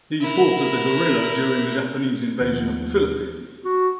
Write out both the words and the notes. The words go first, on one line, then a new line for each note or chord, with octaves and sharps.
He fought as a guerrilla during the Japanese invasion of the Philippines.
E4 A#4
D#2 F3 B3
F#4